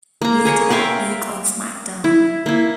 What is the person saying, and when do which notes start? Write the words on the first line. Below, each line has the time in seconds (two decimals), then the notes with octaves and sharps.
Later that week on SmackDown!
0.21 A#3 A#5
0.45 G#4 A#4 C#5
0.70 A#4 E5 F5 G5
2.04 E4
2.46 A#3 E4